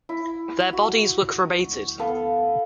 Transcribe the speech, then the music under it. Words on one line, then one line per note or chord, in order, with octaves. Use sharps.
Their bodies were cremated.
E4
F#4
B3 A4 F5